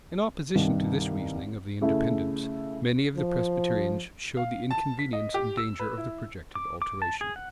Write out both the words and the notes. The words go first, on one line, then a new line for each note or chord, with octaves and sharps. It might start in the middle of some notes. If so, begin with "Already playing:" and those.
In opposition to this reasoning of the Independents, many of the Presbyterians showed the inconvenience and danger of the projected alteration.
C2 G2 D#3
C#3 A3 E4
F3
F5
A5
B6
D#5
G4
E6
B4
E4
D6
D6
A5
G#4
F#5